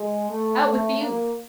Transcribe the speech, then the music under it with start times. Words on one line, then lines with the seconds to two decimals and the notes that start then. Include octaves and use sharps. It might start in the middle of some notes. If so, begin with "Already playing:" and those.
Out with the oof.
Already playing: G#3
0.29 A3
0.64 A3
0.99 A#3